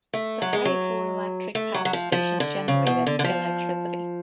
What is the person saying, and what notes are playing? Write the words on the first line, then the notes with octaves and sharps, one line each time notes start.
The hydroelectric power station generated electricity.
A3
F#3
G#3
F#3
A3
F#3
F#3
F3
F3
D3
C#3
B2
D3
D3
F3